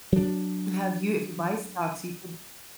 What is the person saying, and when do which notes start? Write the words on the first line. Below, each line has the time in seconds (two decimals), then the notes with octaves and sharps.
Have you if you buy stocks, you should
0.12 F#3 D4